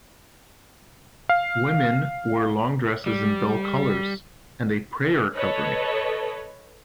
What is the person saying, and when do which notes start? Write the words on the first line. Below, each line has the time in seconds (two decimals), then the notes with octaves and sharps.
Women wore long dresses in dull colors, and a "prayer covering".
1.29 F5
3.06 G3
5.37 A4 B4 C#5 D#5